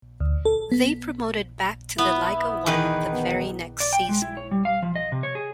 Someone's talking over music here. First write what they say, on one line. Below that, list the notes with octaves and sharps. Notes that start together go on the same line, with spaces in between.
They promoted back to the Liga One the very next season.
D2
A4
B3
B3 E4
E2 D#3 B4
B3
D5
G5
G#3
E4
C#5
G3
F5
F3
D#5
C3
C#5
G#4